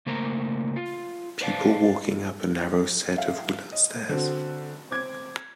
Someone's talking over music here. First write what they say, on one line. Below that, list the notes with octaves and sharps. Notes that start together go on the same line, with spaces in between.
People walking up a narrow set of wooden stairs.
C#3 A3 A#3 A#4 C5 A#5
F4
B4 C5 D5 F5 A5
E5 F5
D#5
D3 C4 F#4
C4 D6 G#6